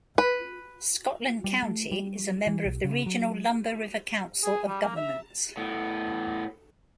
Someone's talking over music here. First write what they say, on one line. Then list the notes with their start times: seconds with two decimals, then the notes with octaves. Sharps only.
Scotland County is a member of the regional Lumber River Council of Governments.
0.18 B4
1.44 G3
1.63 A3
1.91 G3
2.47 E3
2.65 B1
2.84 C#3
3.06 F#3
4.44 G#4
4.68 G3
4.82 A#3
4.96 E5
5.57 A2 B3